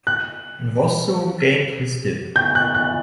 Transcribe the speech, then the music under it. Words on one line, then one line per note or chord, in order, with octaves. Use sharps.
Nwosu gained his Dip.
F#6
G6
F#6
F#6